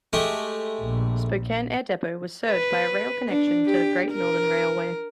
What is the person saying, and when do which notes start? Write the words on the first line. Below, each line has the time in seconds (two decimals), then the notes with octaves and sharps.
Spokane Air Depot was served by a rail connection to the Great Northern Railway.
0.13 G#3 A3 G4
0.82 A#1
2.47 B4
3.29 D4
3.66 G4
4.11 A#4